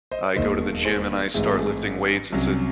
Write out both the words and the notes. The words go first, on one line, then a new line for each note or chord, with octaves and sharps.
I go to the gym and I start lifting weights, it's a
C5 D#5
E1 D#2 D#3 C5 D#5
G#4 C5
A1 G#2 E3 G#3 C4 G#4
A4
G#4
C2 C3 F#3 C#4